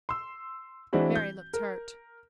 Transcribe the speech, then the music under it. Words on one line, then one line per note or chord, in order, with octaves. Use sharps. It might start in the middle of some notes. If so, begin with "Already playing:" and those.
Mary looked hurt.
C6 E6
E3 G#3 C4 D4 E4 F#4
G6
A#4